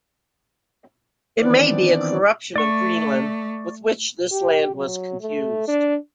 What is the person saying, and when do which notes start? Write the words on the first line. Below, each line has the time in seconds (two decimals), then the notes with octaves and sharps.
It may be a corruption of 'Greenland,' with which this land was confused.
1.40 D#3 E3 B3 C4 D4 D5
2.56 A3 D5 C#6
4.32 G4
4.75 F#3
5.21 A3
5.68 D4